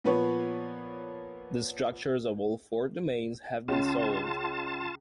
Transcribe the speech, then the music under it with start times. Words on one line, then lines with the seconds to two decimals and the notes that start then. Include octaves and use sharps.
The structures of all four domains have been solved.
0.04 A#2 F3 B3 B4 C#5
3.68 C#2 C#3 F4 A5